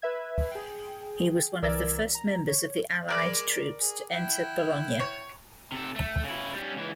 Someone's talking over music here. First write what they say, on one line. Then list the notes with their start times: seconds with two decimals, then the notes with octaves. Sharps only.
He was one of the first members of the Allied troops to enter Bologna.
0.02 B4 E5 G#6
0.51 G#4 G5
1.62 C2 E3 A#4 D5 E6 G#6
2.15 A#5
2.48 C#5
3.09 G#3 A#4 D5 B5
3.80 G#4
4.11 E4 F#5 G5
5.00 C#5
5.72 C3 A4
5.96 A3
6.24 C#3 E4
6.54 G3 C#4
6.76 C#2 E3